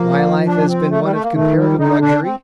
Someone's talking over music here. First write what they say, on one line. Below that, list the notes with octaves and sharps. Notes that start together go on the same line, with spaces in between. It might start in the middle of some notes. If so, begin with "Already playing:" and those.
My life has been one of comparative luxury.
Already playing: F3 A#3
D4
C4
A3
G3
A3
A#3
D#3 A3
G3
D3 D#4
D4
C4